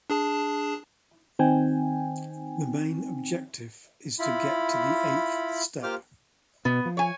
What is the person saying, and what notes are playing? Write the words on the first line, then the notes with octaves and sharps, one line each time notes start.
The main objective is to get to the eighth step.
D4 G#4 A5
D#3 C4 D#4 G5 G#5
E4 F4 B5
A#3 F4 G4 C5 D6 F6
B2 B3
F3
C#5 G#5